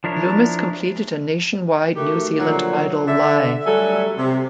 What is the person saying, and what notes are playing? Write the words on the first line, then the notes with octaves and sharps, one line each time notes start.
Lummis completed a nationwide New Zealand Idol Live!
F3 D4 E4 A#4 C#5
D#3 A3 F#4 G4
A#2 D3 F3 F#3
D3 E5
F#3 G3 A3 A4 G#5
C3